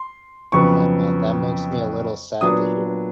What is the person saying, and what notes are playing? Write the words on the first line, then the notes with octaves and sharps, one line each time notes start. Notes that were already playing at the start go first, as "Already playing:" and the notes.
Yeah, man. That makes me a little sad to hear.
Already playing: C6
F2 C#3 F#3 B3 C#6
A#2 F#3 B3 D4 D#6